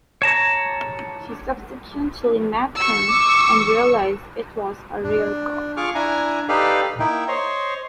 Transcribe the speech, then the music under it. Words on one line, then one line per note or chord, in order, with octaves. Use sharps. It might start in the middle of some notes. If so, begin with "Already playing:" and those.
She subsequently met him and realised it was a real call.
C#5 A5 A#5
C#6 E6
D6
D4
F4 G#4 C#6 D6 F6
D4 E4 G#5 A#5
D#4 G4 A4 B4 D5 F5
A#3 D#4 E4 G5
C5 C#5 D#5